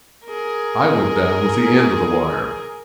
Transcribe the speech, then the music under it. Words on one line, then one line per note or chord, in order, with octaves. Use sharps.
I went down with the end of the wire.
G#4 A#4